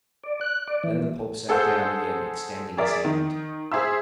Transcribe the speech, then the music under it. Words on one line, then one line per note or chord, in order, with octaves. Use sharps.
Then the Pope sat down again, extending his hand.
D5
F#6
D5
E3
G#4 A4 C5 F#5 E6 G6
G#4 A#4 D5 E5
D#3
G#4 C5 E5 C6 E6